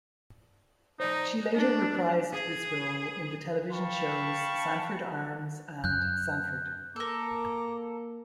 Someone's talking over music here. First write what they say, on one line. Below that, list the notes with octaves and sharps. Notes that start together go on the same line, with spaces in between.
She later reprised this role in the television shows "Sanford Arms" and "Sanford".
D#4 C5 D5 A#5
D4
G#4
F5 G5 A5 B5 C#6
F#2 F#6 G6
A#3 A4 A#4 A#5 D6